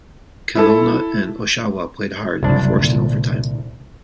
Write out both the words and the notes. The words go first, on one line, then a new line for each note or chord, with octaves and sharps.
Kelowna and Oshawa played hard and forced an overtime.
E4 A4
F#1 C2 F#3 D4
A#2 D3